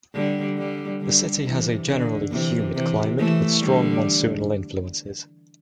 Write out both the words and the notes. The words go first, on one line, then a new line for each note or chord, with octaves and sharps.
The city has a generally humid climate with strong monsoonal influences.
D3 G3
D3 G3
D3 G3
C3 E3
D3
C3 E3
C3 E3
E3 A3
D3 G3